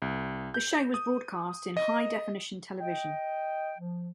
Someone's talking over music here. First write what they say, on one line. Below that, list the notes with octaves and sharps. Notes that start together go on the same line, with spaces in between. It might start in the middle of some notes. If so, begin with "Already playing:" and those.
The show was broadcast in high definition television.
C2
G6
D#6
D#5
D#5 G5
F3